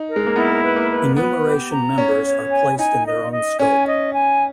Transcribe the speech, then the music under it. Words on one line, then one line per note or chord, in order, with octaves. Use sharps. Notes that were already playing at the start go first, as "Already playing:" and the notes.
Enumeration members are placed in their own scope.
Already playing: D#4
A#4
G#3
A#3
B3 E4
B4
A#3
B4
B3 B4
G4
A#5
C#4 C#5
C#5
G#5
D#4 G#5
D#5
D#5
C#4 G#5
D#5
G#5